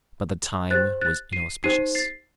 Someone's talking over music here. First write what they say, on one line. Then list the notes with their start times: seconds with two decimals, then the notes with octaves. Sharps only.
But the time was inauspicious.
0.71 G4 C5 F#6 A6
1.01 F#6 A6
1.33 C7 D#7
1.64 D#4 G4 C5 C7 D#7
1.95 A6 C7